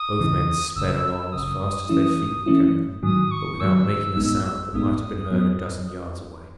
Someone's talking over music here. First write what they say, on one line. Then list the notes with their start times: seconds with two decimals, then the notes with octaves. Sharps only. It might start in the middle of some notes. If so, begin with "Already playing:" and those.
Both men sped along as fast as their feet would carry them, but without making a sound that might have been heard a dozen yards away.
Already playing: D#6
0.19 D#2 C#3 E3
0.76 G#1 F#2 C#3 E6
1.04 E6
1.32 G#1 F#2 C#3 D#6
1.89 E3 A3 C#4 E4
2.46 E3 A3 C#4 E4
3.03 G#2 D#3 F#3 D#6
3.31 C#6
3.60 G#2 D#3 F#3 E6
4.17 A1 A2 G#3 B3 D#4
4.73 A1 A2 G#3 B3 D#4 D#6
5.30 G#2 F#3 B3